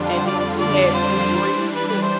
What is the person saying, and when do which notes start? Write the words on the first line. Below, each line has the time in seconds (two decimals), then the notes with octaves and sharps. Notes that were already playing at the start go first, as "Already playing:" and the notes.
and then we had Drew Brees, too.
Already playing: F2 D3 G3 D4 F4
0.12 C5
0.27 D5
0.39 D5
0.59 D5
0.94 C5
1.35 E3 G3 D4
1.75 B4
1.89 B4
2.02 C5